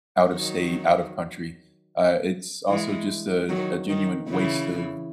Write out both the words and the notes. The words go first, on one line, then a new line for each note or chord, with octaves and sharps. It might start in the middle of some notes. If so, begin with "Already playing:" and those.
out of state, out of country. Uh, it's also just a a genuine waste of,
D#3 F#3
E3 G#3
D#3 F#3
D#3
C#3 E3